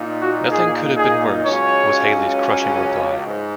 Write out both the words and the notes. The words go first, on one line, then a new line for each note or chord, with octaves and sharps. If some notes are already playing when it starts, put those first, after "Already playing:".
"Nothing could have been worse," was Hallie's crushing reply.
Already playing: A#2 A#3 D#4
F#4
G#4
G#4
C#2 C#3 F#3 C#4 C#5
G#2